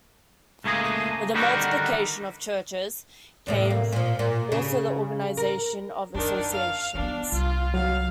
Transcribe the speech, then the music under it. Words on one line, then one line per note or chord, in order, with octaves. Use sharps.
With the multiplication of churches came also the organization of associations.
C#2 A3 A#3 G#4 D#5
D3 D#3 G3 D#4 F#4 A#4
E2 A2 C3
A#3
A#2 F3
A#2
C#3
A#4
F#2 D#3 D4
F5
E3 B3 D4
C2 F4
F#3 F5